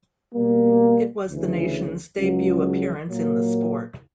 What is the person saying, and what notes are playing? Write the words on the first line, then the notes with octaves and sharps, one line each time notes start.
It was the nation's debut appearance in the sport.
B2 G3 A#3
D2 C#3 E3
C#2 C#3 F#3
A#2 F#3 A#3